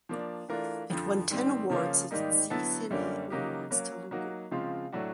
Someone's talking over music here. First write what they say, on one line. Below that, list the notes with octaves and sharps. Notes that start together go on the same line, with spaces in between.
It won ten awards at Zee Cine Awards Telugu.
F3 A#3 D4
E3 A3 D4 F4 A#4
F2 D3 F3
G#2 D#3 G3 C4
C#3 F3 A#3 C#4 F4
G#2 D#3 G3 A#3 D#4
D3 F#3 B3 E4 A4
F#2 D3 G3 A#3 C#4
C#3 F#3 A#3 D#4 G4
F#3 A#3 C#4
F#3 A#3 D#4 F#4
C#3 F3 G#3 C4 F4
A2 F#3 A3 D4 F#4